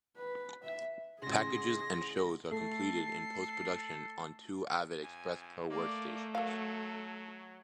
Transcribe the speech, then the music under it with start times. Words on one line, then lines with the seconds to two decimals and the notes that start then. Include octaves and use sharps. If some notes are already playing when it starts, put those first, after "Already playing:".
Packages and shows are completed in post-production on two Avid Xpress Pro workstations.
0.17 B4
0.63 E5
1.22 A1 C#3 G#4 C6 A#6
2.51 A3 A4 C7
5.02 F2 G#5
5.70 A3 A#3 D5
6.35 F#3 A4 A#4 F5